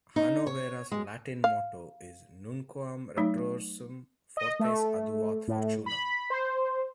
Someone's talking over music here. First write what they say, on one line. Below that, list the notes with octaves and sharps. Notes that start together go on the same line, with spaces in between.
Hannovera's Latin motto is Nunquam retrorsum, fortes adiuvat fortuna!
D#4
C#5
G#3
F5
F#3 A3 D#4
D#5
A3
A2
B5
C5